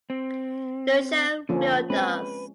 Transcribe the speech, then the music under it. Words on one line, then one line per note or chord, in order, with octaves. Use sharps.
Lucia Realtors.
C4
D3 F3 A#3 C#4
G#3 C4 C#4 B4